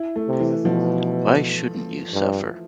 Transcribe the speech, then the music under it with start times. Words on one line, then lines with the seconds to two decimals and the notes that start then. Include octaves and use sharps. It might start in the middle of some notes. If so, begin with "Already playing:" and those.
Why shouldn’t you suffer?
Already playing: E4
0.16 A3
0.28 C3
0.40 E3
0.64 B2 F3
2.13 G2